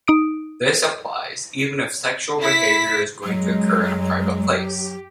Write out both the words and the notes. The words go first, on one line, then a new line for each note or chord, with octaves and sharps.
This applies even if sexual behavior is going to occur in a private place.
D#4 D#6 D7
E4 B6
F#2 F#3 G#3
G4